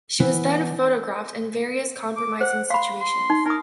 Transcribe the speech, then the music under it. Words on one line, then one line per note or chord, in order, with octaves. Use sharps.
She was then photographed in various compromising situations.
E3 B3
D6
C5 F#5
F5 B5 C6
C6
D#4
D#4 A#4 D#6